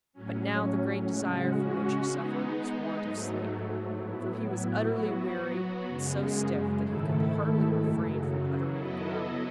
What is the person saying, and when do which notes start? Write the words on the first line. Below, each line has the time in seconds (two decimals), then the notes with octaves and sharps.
But now the great desire from which he suffered was want of sleep, for he was utterly weary and so stiff that he could hardly refrain from uttering a groan.
0.13 A2 F#3 C#4
1.07 C#3 G#3 C#4 F#4
2.04 G#3 B3 D#4
2.99 G#2 F#3 A3
3.94 A2 F#3 B3 E4
4.89 F#3 B3 F#4
5.85 F#2 C#3 G#3
6.81 G#2 D#3 A3 E4 A4
7.76 F#2 C#3 F#3
8.71 F#3 B3 E4 A4 D#5